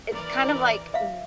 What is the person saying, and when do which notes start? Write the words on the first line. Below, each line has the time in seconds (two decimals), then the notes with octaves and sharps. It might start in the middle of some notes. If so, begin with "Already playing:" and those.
it's kind of like, m
0.12 E3 A#4 D5
0.94 E5 F5